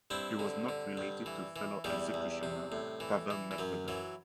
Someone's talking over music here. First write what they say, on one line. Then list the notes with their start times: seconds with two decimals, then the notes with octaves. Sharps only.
He was not related to fellow executioner Pavel Medvedev.
0.10 G2 C4 E4
0.39 D3
0.69 D3
0.97 G2
1.26 E3
1.56 E3
1.84 E2 E3 G3
2.14 E2
2.43 C3
2.72 A2
3.00 E3
3.30 E3
3.51 E3
3.58 F#2 F#3
3.88 E3 F#3